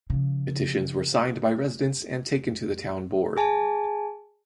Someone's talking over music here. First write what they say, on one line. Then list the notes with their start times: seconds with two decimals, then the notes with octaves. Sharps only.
Petitions were signed by residents and taken to the Town Board.
0.10 C#3 F3
3.37 G#4 G#5 A5